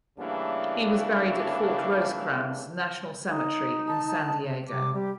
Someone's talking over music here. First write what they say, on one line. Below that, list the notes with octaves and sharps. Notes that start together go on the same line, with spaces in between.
He was buried at Fort Rosecrans National Cemetery in San Diego.
C#3 E3 G3 A3 A#3 D4
D#4
A5
C3 D6
G3 G4